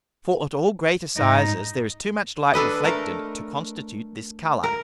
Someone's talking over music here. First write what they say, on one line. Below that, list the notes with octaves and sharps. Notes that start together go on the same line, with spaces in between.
For at all greater sizes there is too much Light reflected to constitute this Colour.
G#2 D#4
D4 A4 B4 D#5
A3 A4 A#4
A#4